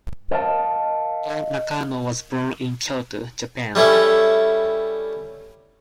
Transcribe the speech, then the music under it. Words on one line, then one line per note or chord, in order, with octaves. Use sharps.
Junya Nakano was born in Kyoto, Japan.
A#4 D#5 F5 A5
G3 A3 C#4 E4